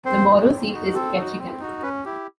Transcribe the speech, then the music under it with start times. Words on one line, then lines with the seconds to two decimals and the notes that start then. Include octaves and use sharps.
The borough seat is Ketchikan.
0.05 C4 C5
0.28 D#4 F#4
0.50 C4
0.73 D#4 F#4
0.94 C4 A4
1.16 D#4 F#4
1.39 C4
1.60 D#4 F#4
1.82 C#4 B4
2.05 E4 G4